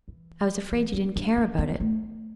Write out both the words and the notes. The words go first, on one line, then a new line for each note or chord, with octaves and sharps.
"I was afraid you didn't care about it."
E3
E3
C#4
D4
C#4
B3
A3